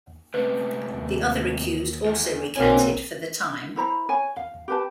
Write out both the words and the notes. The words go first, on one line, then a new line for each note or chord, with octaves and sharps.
The other accused also recanted for the time.
D2 C3 B4
D#2
E2
B1 B2 A#3 C4 A#4 B4 C#5 G#5
E4 C5 A#5 B5
C#5 G#5
F5
G4 B4 A5